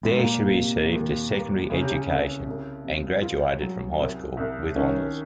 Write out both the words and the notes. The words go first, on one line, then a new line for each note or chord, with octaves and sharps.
There she received her secondary education and graduated from high school with honors.
G#2
A#2 A#3
C3
D#2
A#3
C#3 C#4
C3
C#3
C2
C2
C3
F4
F#3
C2
C2
D#3 C#4